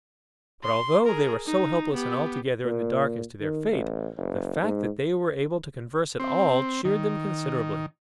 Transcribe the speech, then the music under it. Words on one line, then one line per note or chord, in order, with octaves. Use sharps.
But although they were so helpless and altogether in the dark as to their fate, the fact that they were able to converse at all cheered them, considerably.
C6
G#4 A#4
D#4
B3 G4
A#2
D#3
A1
F#1
G#2
C4
D#3